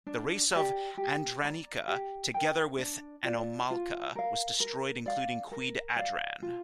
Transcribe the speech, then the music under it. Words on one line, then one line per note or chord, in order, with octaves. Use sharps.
The Race of Adranika together with Anomalka was destroyed including Queen Adran.
D4
G4 D5 A#5
G4
D5 A#5
G4
A#4 G5
D4
F4 D5
F4
A#4 F5
A#4
D5 F5
A#4
D5 F5
F4